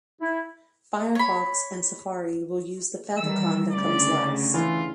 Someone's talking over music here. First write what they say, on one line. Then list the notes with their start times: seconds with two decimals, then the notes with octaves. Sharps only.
Firefox and Safari will use the favicon that comes last.
0.20 E4
1.15 C#5 B5
3.18 D#3 E3 G3 E6
3.72 D2 C#3 D5
4.54 E3 F4